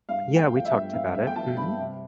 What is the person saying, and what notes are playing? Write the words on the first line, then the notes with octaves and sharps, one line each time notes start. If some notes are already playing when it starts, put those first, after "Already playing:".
Yeah, we talked about it. Mhm.
G2 F5
A3
G5
F3 F5
E5
G2
G2 F5
A3 E5
G5
F3 A5
G2 B5
C3